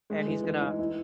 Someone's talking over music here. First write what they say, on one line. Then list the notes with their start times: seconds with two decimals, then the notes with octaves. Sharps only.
and he's gonna
0.10 G#3
0.27 E3
0.44 E3
0.61 D#4
0.79 E4